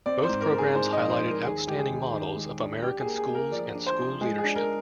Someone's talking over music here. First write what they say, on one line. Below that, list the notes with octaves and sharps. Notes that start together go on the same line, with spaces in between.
Both programs highlighted outstanding models of American schools and school leadership.
C4 D5
C5
G#2
A#4
G#2
G#4
G#2 C5
D#5
F3
C5
G#2
A#4
D#2 G#4
G#3 G4
G#4
D#2
D#3
G#3
D4
D4 G4
G#4
A#3
G#4
A#3
A#4
F3 D5
D4
C5
F3
G#3 G#4
G#4
D4
A#4